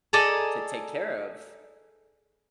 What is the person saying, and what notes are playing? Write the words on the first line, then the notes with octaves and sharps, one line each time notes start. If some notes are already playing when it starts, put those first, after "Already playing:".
to take care of
G#4 A4 D5 D#5 A5 A#5